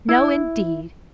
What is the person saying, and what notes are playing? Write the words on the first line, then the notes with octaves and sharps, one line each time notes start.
No, indeed!
E4